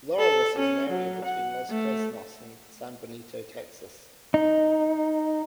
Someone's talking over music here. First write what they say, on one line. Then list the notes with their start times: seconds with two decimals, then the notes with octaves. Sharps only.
Laureles is an area between Los Fresnos and San Benito, Texas.
0.19 A4
0.58 C#4
0.90 F#3
1.24 F#5
1.70 A3
4.34 D#4